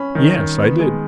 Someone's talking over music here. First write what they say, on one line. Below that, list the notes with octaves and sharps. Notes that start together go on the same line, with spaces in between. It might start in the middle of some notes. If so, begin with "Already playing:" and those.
"Yes, I did."
Already playing: C#4 B5
D#3
D#3
B3
G#3